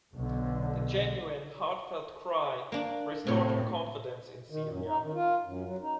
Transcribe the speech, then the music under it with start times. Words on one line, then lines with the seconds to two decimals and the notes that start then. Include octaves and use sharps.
The genuine, heartfelt cry restored her confidence in Celia.
0.14 B1 D3
2.72 A#3 D4
3.27 A2 C3 C#5
4.50 D#3
4.69 F#2
4.87 D#4
5.02 D#3
5.14 F4
5.46 F#2
5.65 F#3
5.82 D#4